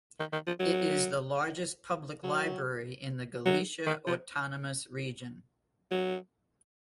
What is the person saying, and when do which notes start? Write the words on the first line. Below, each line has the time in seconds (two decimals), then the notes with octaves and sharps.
It is the largest public library in the Galicia Autonomous Region.
0.19 D#3
0.32 D#3
0.47 F3
0.60 F#3
2.23 F#3
3.46 F#3
3.86 D#3
4.07 F3
5.91 F#3